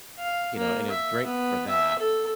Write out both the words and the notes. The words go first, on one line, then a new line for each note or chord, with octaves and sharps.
you know, and it was great for that,
F5
A#3
E5
B3
E5
A4